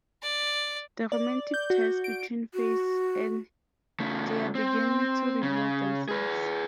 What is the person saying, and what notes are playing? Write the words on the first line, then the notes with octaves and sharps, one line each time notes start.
The romantic ties between Face and Dia begin to reveal themselves.
D5
D5
G6
F#4
D7
F#4
C#3 A3
C4
C#3
G#4 B4